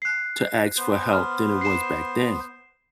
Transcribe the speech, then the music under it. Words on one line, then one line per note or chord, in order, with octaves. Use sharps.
to ask for help than it was back then?
F#6 C7
B3 C5
F6
C7 E7